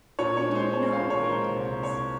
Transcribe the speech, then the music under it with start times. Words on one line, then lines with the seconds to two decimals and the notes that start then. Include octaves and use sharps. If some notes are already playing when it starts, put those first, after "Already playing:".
You didn't know Anne Douglas?
0.19 A#2 C#5
0.37 C#5
0.46 G#3
0.55 C5
0.73 G#3 C#5
0.92 F5
1.01 A#2
1.10 C#5
1.23 A#4
1.29 G#3 C5
1.56 C2
1.83 C2 C#5